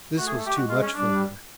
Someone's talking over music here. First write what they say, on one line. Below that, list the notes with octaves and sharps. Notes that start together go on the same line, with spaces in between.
This was too much for her.
A3 F#4
G#4
G4
G#3 F#4
F4
C#4
G3 D4